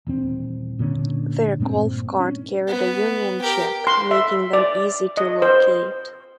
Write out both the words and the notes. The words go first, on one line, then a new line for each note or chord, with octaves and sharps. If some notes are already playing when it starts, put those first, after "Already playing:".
Their golf cart carried a Union Jack, making them easy to locate.
D#1 E2 C4
A#2 D3 C#4
G2 A#2 G#3 C4
C#4
B3
G4 A#4
C6
E5
D5
D#5
C5